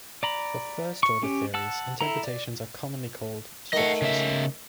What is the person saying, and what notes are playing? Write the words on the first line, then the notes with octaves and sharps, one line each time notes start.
For first-order theories, interpretations are commonly called structures.
D5 A#5 B5
C#6
C#4 G4
F#5 A5 E6
E4 A4 A#5
D5
D#3 A3 D#5 F#5
C#3 E5